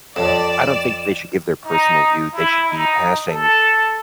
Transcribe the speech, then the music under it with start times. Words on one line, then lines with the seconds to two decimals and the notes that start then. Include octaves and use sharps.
I don't think they should give their personal view, they should be passing
0.16 F2 A4 C#5 D5 A5 E7
1.65 D#4
2.33 E4
2.70 D#4
3.28 A4